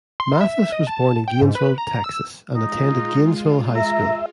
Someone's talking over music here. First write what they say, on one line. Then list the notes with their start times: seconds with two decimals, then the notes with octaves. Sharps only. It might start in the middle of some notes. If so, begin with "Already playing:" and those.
Mathis was born in Gainesville, Texas, and attended Gainesville High School.
0.20 C6
0.41 E5
0.72 D#5
0.87 A5
1.28 G5
1.42 G#2
1.55 B4
1.78 A#5
2.04 E6
2.54 G#3 D#4 F4
3.75 E5 A#5